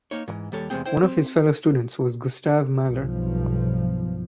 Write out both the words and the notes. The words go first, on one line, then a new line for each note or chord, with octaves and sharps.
One of his fellow students was Gustav Mahler.
A#3 D#4 C#5
G#2 E3
D#2 G3 A4 C#5
E2 C3 G#3 C4 G#4 G5
E4 C5 G5
C4
B1 G2 F3